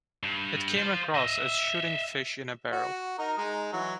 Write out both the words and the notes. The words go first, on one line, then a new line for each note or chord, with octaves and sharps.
It came across as shooting fish in a barrel.
G2
F4 C5
D#5 E5
F#4
D#4 A#4
G#3 D#4
E3 F#3